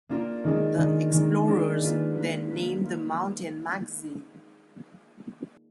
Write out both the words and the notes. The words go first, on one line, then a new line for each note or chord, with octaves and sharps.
The explorers then named the mountain "Magazine".
A#3 D4 F4 A#4
D#3 G#3 D4
D#3 G#3 D4
D#3 G#3 D4
D#3 G#3 D4
A#3 F4 B4
A#3 F4 B4
A#3 F4 B4
A#3 F4 B4